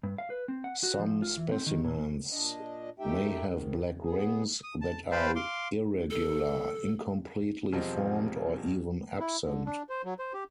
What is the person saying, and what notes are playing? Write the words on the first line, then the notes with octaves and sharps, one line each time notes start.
Some specimens may have black rings that are irregular, incompletely formed or even absent.
G2
F5
B4
C4
F#5
F#4
F3
F4
E3
C4
D#3
A#2
A#2 D4 D#5
F#2 A3 D#4 G4 E5 G5
G#2 D#3
B3 G#4
D#6
A5
B4 C5 F5 G5 A5 B5
F5 C6 D6
A4
E1 F3 G3 C4 D#5
E4
D3
D4
C5
F#3
C5
G4